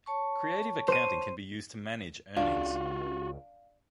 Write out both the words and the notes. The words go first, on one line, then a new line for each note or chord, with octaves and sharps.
Creative accounting can be used to manage earnings.
C#5 A5 C#6
C5 D#7
C#2 D4 F4 F#4 F5